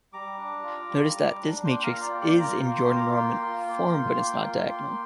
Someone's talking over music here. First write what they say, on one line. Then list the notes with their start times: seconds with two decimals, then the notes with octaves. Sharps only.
Notice that this matrix is in Jordan normal form but is not diagonal.
0.13 G3 A#5 D6
0.38 D4
0.63 F4
0.89 G3
1.14 G3
1.39 D4
1.64 A#3 G5 C6
1.83 F5 A#5
1.90 F4
2.02 D5 G5
2.15 A#3
2.21 D5 G5
2.40 F4 A#5 D6
2.59 G5 C6
2.65 A#3
2.78 G5 C6
2.90 F4
2.96 A#5 D6
3.16 A#3 G5 C6
3.42 F4
3.67 A#3
3.91 F4
4.17 A#3
4.41 F4
4.68 A#3